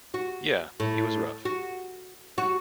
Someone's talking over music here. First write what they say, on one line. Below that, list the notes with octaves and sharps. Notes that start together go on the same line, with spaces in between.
Yeah, it was rough.
F#4
A2
F#4
F#4